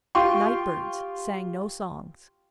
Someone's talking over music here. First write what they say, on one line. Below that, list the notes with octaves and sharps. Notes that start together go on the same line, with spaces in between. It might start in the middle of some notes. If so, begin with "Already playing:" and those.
Nightbirds sang no songs.
F4 G4 G5 C6 C#6